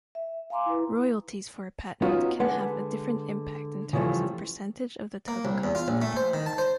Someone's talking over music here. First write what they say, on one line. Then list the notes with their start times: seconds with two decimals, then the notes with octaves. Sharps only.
Royalties for a patent can have a different impact in terms of percentage of the total cost of the product.
0.15 E5
0.50 F5 G#5 A#5 C6 D6
0.66 E4 B4
2.02 B3 C#4 D#4 F4 F#4
2.39 D3 G#3 B4 F#5
3.93 C#3 E3 F3 G3 A3
5.28 A#3
5.45 C2
5.64 E2
5.75 F4
5.88 A#1
6.02 A3
6.16 C5
6.34 D#3
6.46 A5
6.58 C5